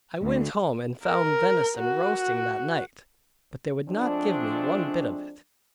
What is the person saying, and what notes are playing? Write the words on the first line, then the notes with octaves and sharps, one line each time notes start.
I went home and found venison roasting that night, but they would not give me one bit of it.
D2
A#4
F#4
F3 G#3 A3 C4 D4